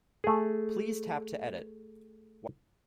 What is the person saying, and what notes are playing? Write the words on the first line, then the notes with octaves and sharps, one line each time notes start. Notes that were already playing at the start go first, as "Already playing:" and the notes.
Please tap to edit.
A3 G#4